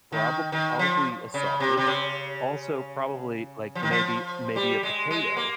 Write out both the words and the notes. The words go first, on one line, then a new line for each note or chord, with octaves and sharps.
probob probably a sausage. Also, probably, like, maybe maybe a potato
D#3
D#3
F3
C#3
C3
C3
C#3
F3
D#3
F3
G3
G#3
G#3
A#3